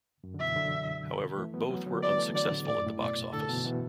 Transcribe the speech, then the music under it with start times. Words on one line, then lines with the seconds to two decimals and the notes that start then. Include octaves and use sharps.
However, both were unsuccessful at the box office.
0.24 F#2
0.34 D3
0.40 B2 E3 E5
0.56 D3 F#3
1.37 E3 A3
1.54 F#3 B3
1.70 F#3 B3
1.86 D3 F#3
2.02 F#3 B3 D5
2.18 E3 A3
2.35 D3 F#3 D5
2.51 A2 D3
2.67 A2 D5
2.77 F#2
2.86 A2
3.01 B2 D5
3.32 A2 D3 A4
3.49 B2 E3
3.65 B2 E3